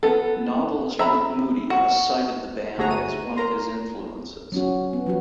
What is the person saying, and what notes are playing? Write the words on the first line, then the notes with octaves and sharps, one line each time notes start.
Novelist Rick Moody has cited the band as one of his influences.
B3 A4
E5 A#5 B5
F#4
G1 A3 F#4 G#4 A#5
D#7
A#4 A#5 C6
F#3 C#4 F#4
B3
F3 F#3 F#4